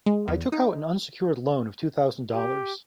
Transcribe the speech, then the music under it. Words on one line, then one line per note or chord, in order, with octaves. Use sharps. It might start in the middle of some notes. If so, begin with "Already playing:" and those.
I took out an unsecured loan of two thousand dollars.
G#3
E2
D#4
G4